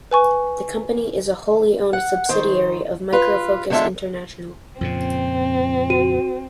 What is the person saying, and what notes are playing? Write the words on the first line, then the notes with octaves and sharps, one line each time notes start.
The company is a wholly owned subsidiary of Micro Focus International.
B4 G#5 C#6
F#5
D#3 C5
F4 B4
E2 D3 G#3 D4 F4 E5
F2 A#2 C#3 C4
F#4 D#7